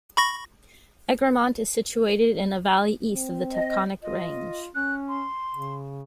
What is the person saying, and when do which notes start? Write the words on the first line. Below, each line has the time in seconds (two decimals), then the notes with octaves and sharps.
Egremont is situated in a valley east of the Taconic Range.
0.17 B5 C#6 A#6
3.14 C4
3.50 D#5
4.02 F4 D#5
4.75 C#4 F#6
5.08 C6
5.55 C#3